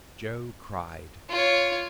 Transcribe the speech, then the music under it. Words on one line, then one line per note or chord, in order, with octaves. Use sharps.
Joe cried.
F4 C#5